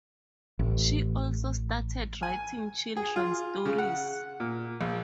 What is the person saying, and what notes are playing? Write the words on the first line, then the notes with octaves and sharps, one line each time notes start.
She also started writing children's stories.
A1
G#5
G#4
F4
C#3
F#5
A#2
A#1